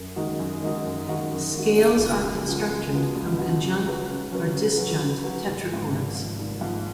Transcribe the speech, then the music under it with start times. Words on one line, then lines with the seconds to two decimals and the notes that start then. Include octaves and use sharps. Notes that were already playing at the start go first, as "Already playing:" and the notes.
Scales are constructed from conjunct or disjunct tetrachords.
Already playing: F#2
0.16 D#3 G#3 D#4 F#4
0.39 F#2
0.63 D#3 G#3 D#4 F#4
0.85 F#2
1.08 D#3 G#3 D#4 F#4
1.31 F#2
1.55 D#3 G#3 D#4 F#4
1.78 C#2
2.00 C#3 F3 B3 F#4
2.24 C#2
2.46 C#3 F3 B3 F#4
2.70 C#2
2.92 C#3 F3 B3 F#4
3.15 C#2
3.39 C#3 F3 B3 F#4
3.62 C#3
3.86 F#3 C#4 F#4 B4
4.08 C#3
4.31 F#3 C#4 F#4 B4
4.54 C#3
4.77 F#3 C#4 F#4 B4
5.00 C#3
5.24 F#3 C#4 F#4 B4
5.47 G#1
5.69 G#2 F3
5.92 G#1
6.15 G#2 F3
6.39 G#1
6.61 G#2 F3